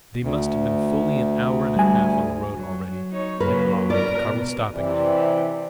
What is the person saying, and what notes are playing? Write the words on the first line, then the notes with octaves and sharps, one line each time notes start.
They must have been fully an hour and a half on the road already, and--ah, the car was stopping now!
D2
G3 G#5
F#3
D#4 C#5
C#3 F#3 A#3 A#4 B4
A#4 B4 D5
B2
C3 E3 D5